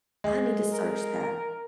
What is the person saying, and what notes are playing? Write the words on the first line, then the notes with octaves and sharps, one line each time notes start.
I need to search that.
G#3
A#4